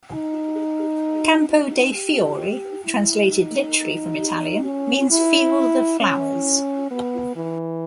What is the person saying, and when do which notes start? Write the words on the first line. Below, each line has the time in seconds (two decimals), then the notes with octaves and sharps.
"Campo de' Fiori", translated literally from Italian, means "field of flowers".
0.14 D#4
1.49 D#4
1.95 G4
2.84 E4
3.30 D#4
4.65 C#4
5.11 E4
6.01 C#4
6.91 B3
7.36 E3